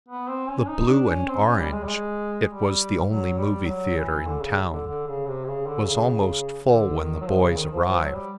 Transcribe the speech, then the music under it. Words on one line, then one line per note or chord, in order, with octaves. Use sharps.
The Blue and Orange--it was the only movie theater in town--was almost full when the boys arrived.
B3
C4
C#4
D#4
D4
C#4
C4
C#4
G3
G#3
G3
G#3
G3
F#3
G3
F#3
E3
D3
C#3
D3
D3
C#3
C3
C#3
D3
C#3
D3
D#3
F#3
F3
C#3
D#3
F3
F3
F#3
G3